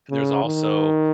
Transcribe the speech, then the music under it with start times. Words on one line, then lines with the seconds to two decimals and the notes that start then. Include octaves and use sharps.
there's also
0.10 C#3
0.44 D#3